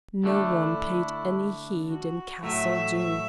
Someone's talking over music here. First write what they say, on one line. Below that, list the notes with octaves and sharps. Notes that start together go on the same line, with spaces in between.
No one paid any heed in Castle Doom.
D3 A3 D4 E4
F#4
A2 F#3 A3 E5
E5